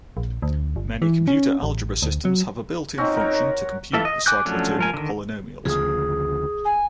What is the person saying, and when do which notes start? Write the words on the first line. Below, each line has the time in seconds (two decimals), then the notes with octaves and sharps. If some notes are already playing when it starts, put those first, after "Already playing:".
Many computer algebra systems have a built in function to compute the cyclotomic polynomials.
0.17 A#1
0.42 D2
0.76 G1
1.02 E3
1.28 C#4
1.63 A1
2.02 D2
2.25 F#3
2.98 C4 C#4 D#4 F#4
3.17 A#4 C#5
3.93 E3 F4 A4 E5
4.05 D#5
4.26 G#5 D6 F#6 G6
4.45 F3 F#3 A3 C#4 D4
4.79 F3 A#4 G#5
4.94 D3 D#3
5.65 D2 C#3 F3 G#4 D#6
6.65 G#5